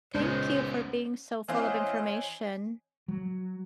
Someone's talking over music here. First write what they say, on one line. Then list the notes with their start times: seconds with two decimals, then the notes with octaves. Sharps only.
Thank you for being so full of information.
0.14 C#2 A#2 G#3 B3 C#4 C5
1.48 E3 C4 C#5 D#5 F5 G#5
3.08 F#3